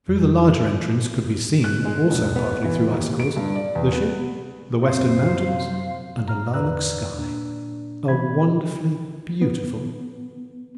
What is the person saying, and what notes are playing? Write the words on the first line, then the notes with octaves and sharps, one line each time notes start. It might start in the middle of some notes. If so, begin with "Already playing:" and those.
Through the larger entrance could be seen, also partly through icicles, the ship, the Western Mountains, and a lilac sky; a wonderfully beautiful picture.
F2
F#6
G#3
E1
B3
E3
D#2
D7
G2
D5
E2
B3
F#2 C3 C4 C5 F5
G#2 A#5 F6
E2 B4 D5 A#5 E6 F#6
A#2 D4
A#2 E3 B5 G#6
B3